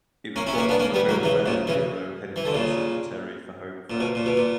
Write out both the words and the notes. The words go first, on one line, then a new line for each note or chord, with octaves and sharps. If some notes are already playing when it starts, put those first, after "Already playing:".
It reports to the Home Affairs Bureau, headed by the Secretary for Home Affairs.
A#3 C#4
C#4 E4
B3
A#3 C#4
B3 D4
A#3 C#4
G3 B3
F#3 A#3
C#3 E3
A#2 C#3
C#3 E3
E3
D3
A#2 C#3
A#2
B2
A#2
B2
A#2